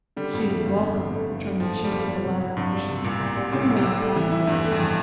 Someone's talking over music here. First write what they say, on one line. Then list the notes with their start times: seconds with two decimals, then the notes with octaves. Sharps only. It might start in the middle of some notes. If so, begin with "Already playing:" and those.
"She is welcome," returned the chief of the latter nation, still more emphatically.
0.17 D3 G3
0.33 F2
0.49 A3
0.65 G1
0.81 D3
0.97 F2
1.13 A3
1.29 G1
1.45 D3
1.60 F2 F3
1.76 A3
1.84 G3
1.92 G1
2.08 G3
2.24 C3
2.40 C2
2.56 C2 G2
2.72 G3
2.88 C3
3.04 C2 A#2
3.19 C2
3.36 G3
3.52 A2 C3
3.69 C2
3.77 C3
3.84 C2
4.00 A3
4.16 E3
4.31 E4
4.47 E2 G2
4.64 A3
4.72 F2
4.79 E3